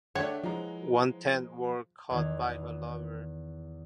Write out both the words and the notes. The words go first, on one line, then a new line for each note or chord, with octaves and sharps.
One tenth were caught by her lover.
D3 A3 D4 C#5 D5 E5 F#5 G5
E3 F3 G#3 F#5 A#5
E2 D#3 G#6